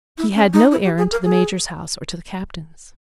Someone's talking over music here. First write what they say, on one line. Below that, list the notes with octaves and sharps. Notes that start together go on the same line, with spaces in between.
He had no errand to the Major's house or to the Captain's.
E4
C#4
D#4
E4
G4
G#4
A#4
G#4